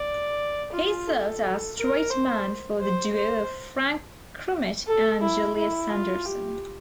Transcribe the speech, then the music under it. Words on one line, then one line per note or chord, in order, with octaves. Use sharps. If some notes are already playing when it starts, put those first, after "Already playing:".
He served as straight man for the duo of Frank Crumit and Julius Sanderson.
Already playing: D5
F4
A4
A#4
C5
C5
C5
A4
E4
E4
F4
G4